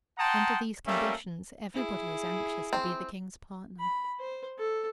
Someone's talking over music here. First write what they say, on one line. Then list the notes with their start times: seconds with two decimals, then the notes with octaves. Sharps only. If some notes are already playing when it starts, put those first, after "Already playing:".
Under these conditions everybody was anxious to be the king's partner.
0.18 F#5 G5 A5 A#5 C6 D#6
0.87 G3 A3 A#3 C#4 E5
1.74 E4 G#4
2.73 C4
3.80 B5
4.19 C5
4.59 A4